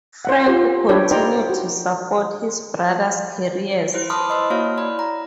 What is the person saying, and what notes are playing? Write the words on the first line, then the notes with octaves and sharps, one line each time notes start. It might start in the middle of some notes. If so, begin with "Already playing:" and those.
Frank continued to support his brothers' careers.
C5 F#5
F4 G4 C5
D4 E4 G4 A4 B4 C#5
D#4 C5 D5 G5 A#5
F#4
E4 B4 C5
A5 B5 C6 D6 D#6 F6
D#5 B5 C6 E6
A#3 E4 F#4 C#5 F5 F6
D5 B5
A#5